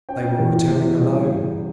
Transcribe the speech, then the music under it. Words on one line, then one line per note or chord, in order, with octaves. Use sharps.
They were returning alone!...
C#4 G5
E2
E2
G3